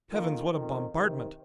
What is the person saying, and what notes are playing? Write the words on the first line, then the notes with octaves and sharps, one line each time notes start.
Heavens, what a bombardment!
F2 D#3 A#3 F4
F2 D#3 C4
C3 D#3 C4